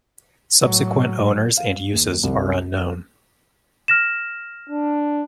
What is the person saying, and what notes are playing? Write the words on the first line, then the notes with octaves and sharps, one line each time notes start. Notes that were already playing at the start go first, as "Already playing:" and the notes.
Subsequent owners and uses are unknown.
A2 F#3
F5
D#2
C2
F6 A#6 E7
D4